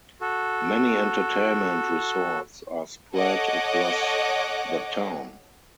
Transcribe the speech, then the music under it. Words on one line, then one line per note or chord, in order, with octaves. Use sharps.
Many entertainment resorts are spread across the town.
F#4 A4
A4 C#5 D#5 F#5 D6